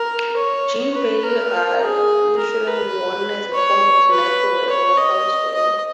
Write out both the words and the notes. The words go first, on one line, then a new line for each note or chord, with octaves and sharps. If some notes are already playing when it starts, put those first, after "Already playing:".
"Jinbei" are usually worn as a form of nightwear or house wear.
Already playing: A#4
C#5
B4
A#4
G#4
A#4
B4
C#5
B4
C#5
D#5
D#5